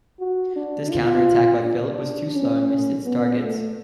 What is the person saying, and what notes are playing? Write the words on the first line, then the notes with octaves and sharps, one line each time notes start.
This counter attack by Philip was too slow and missed its targets.
F#4
D4
F4
D4
C#4
B3
A3